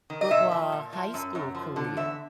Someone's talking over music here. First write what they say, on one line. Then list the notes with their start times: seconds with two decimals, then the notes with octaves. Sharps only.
football high school career?
0.10 D#3
0.21 D#5
0.30 A#2 E5
0.51 F3
0.72 A#2
0.93 F3
1.14 F#2
1.35 F#2
1.55 F3
1.76 D3
1.97 E2 E5